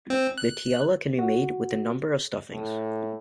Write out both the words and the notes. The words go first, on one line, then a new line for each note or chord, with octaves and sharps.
The tiella can be made with a number of stuffings.
C4
F#6
F#4
A2